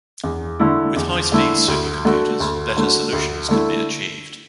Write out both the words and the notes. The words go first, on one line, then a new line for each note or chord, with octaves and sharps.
With high-speed supercomputers, better solutions can be achieved.
E2
D3 A3 E4
E2
D3 A3 E4
D2
D3 A3 F#4
D2
D3 A3 F#4
D2
D3 A3 E4